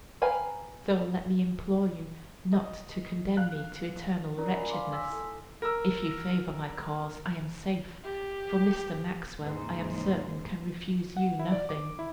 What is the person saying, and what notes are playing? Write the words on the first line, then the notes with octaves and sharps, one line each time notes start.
So let me implore you not to condemn me to eternal wretchedness: if you favour my cause, I am safe; for Mr. Maxwell, I am certain, can refuse you nothing.'
B4 F5 G5 G#5 A#5
D#5
F5 F#6
C#4 F4 A#4 D5 A#5
D5 G#5 B5
F5 C6 D6
G#5 C6 E6 B6
E4 A4
A#4 E6
G4
D#2 G#2 C#3 E3 D#4 C5
F#5
E4
D5
D6
E4